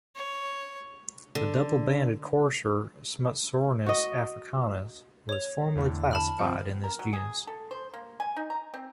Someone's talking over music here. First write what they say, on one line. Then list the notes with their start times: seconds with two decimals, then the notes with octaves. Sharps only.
The Double-banded courser, "Smutsornis africanus", was formerly classified in this genus.
0.15 C#5
1.35 D3
3.86 F#4 D#5
5.29 C#5 F7
5.76 E2 A2 D3
6.11 A5 B5 F6
6.39 F3 C4 F#5
6.84 A#4
6.99 F#3
7.13 G#4
7.47 A4
7.71 C5
7.94 A#3
8.20 G#5
8.36 D#4
8.50 A#5
8.74 C4